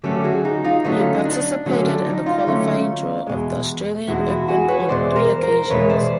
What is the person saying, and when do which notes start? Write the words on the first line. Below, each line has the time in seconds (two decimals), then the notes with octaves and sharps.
He participated in the qualifying draw of the Australian Open on three occasions.
0.04 D3 F#3 A3 C#4 G4 A4
0.24 F#4 G#4
0.45 D#4
0.64 D#4 F4
0.85 D3 F#3 A3 C#4 D#4
1.14 D#4
1.25 D4
1.66 D3 F#3 A3 C#4 D#4
1.86 D4
2.06 D#4
2.26 D#4 F4
2.47 D3 F#3 A3 C#4
3.27 E2 B2 G#3
4.08 E2 B2 G#3 E4 F#4
4.28 E4 F#4
4.48 F#4 G#4
4.69 B4 C#5
4.89 E2 B2 G#3 C5 D5
5.16 A#4 C5
5.43 A#4 C5
5.70 E2 B2 G#3 B4 C#5
5.90 C5 D5